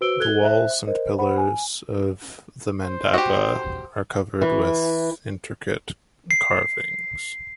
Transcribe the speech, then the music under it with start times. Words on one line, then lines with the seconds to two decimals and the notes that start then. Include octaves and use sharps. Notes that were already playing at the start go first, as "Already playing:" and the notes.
The walls and pillars of the mandapa are covered with intricate carvings.
0.01 F#4 B4 C5 E6 D7 G7
0.19 A4 F#6 G#6 G7
0.41 C5 E5 F#6
0.87 A#4 C5 D#5
1.18 C5 F#5 B5
1.38 G#5
2.84 C5
3.14 F#4 G4
4.42 E3
6.31 C7